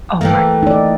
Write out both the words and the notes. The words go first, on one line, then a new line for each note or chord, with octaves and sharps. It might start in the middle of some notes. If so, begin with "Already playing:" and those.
Oh my
E3 A3 A#3 E5 G5
D#4 D5